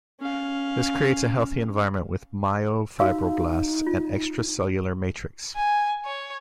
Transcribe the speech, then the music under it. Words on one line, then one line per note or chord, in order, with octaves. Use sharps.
This creates a healthy environment with myofibroblasts and extracellular matrix.
C#4 F5
D#4 F#4 F5 E6
F4
G#5
C#5